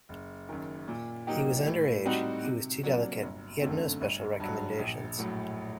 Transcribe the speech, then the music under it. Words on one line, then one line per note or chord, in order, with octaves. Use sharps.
He was under age, he was too delicate; he had no special recommendations.
F#1
F#2 D#3
A#2
F#3 A#3 D#4 G4
A2
G3 C4 D#4 F#4
C3
F#3 A#3 D4
G1
F#2 D3 A3 C4
G1
G2 F#3
A#1
A2 F#3